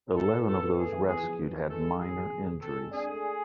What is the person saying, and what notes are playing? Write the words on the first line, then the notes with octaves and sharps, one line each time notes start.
Eleven of those rescued had minor injuries.
A2 A4
B3
F4 A4
B3
A3 G#4
E3
E2 G#4
F3
B3
E3
G#3 A4
F3
A1 G#4
F3
E1
B2
C4 A4
G#3
D4 G#4
A3